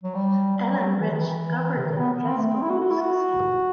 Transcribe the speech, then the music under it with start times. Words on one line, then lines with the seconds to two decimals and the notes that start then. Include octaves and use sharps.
Alan Rich covered the classical-music scene.
0.04 F#3
0.15 G3
0.57 G3
0.71 F#3
1.00 E3
1.11 D#3
1.21 E3
1.77 C3
1.85 D#3
1.98 B3
2.12 B3
2.27 C4
2.37 A3
2.48 C4
2.62 E4
2.70 F#4
2.80 F#4
2.90 E4
3.01 F#4